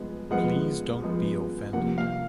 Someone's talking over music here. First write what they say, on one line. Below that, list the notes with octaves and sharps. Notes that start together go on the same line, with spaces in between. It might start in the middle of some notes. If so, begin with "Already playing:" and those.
Please don't be offended.
Already playing: F3 G#3 B3
F3 G#3 B3 F#5
F3 G#3 B3
C3 F3 A#3 F#5
F5